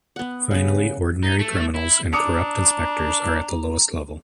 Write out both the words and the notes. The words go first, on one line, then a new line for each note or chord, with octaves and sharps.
Finally ordinary criminals and corrupt inspectors are at the lowest level.
B3 F#5
C#3 B4
D#4
A3
E4
D4 A#5 D6 D#6 C#7